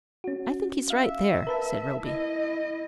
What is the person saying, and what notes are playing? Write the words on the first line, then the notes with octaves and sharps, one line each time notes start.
"I think he's right there," said Roby.
C#4 F#4
E5 F5
A#4 B4 A5
E4 D#5